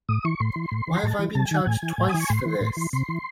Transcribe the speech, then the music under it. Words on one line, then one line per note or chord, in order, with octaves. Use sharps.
Why have I been charged twice for this?
A2 D#6
E3 C#6
A2 C6
E3
A2
E3
A2 A5
E3
C3 A5
G#5
D#3 F#5
A2 G#5
E3
A2
E3 D#6
C#6
A2 C6
E3
A2
E3
C3 C6
E3